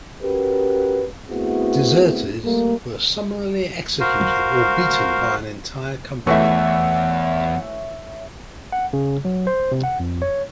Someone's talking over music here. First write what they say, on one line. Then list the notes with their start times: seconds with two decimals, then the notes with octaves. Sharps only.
Deserters were summarily executed or beaten by an entire company.
0.22 C#4 F#4 G4 A#4 B4
1.30 A3 B3 C4 E4 F#4 G#4
2.44 G3 A3 A#3
4.00 F#4 A#4 C5 F5
6.27 E2 E3 A3 C#5 E5 F#5
8.72 F#5
8.93 C#3
9.25 F#3
9.47 C5
9.72 C3
9.83 F#5
10.00 F2
10.22 C#5